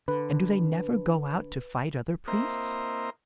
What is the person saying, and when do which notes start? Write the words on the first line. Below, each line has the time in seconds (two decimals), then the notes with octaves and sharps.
"And do they never go out to fight other priests?"
0.08 D3 B4
2.28 A#3 C4 E4 A#4 C5 D#5